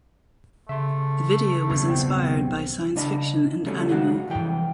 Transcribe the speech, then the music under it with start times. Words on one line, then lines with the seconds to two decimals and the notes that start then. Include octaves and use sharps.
The video was inspired by science fiction and anime.
0.69 C#3 A3 E5 C6
1.70 B1 E2 G2
1.88 B3 C4 G5
2.96 C#3 D4 D#5 A5 B5
3.66 C#3 F#3 G3 A3 C4 C#4
3.88 F#2 C#3 G#3 F4 F#4 F#5
4.28 C2 F2 E3 G5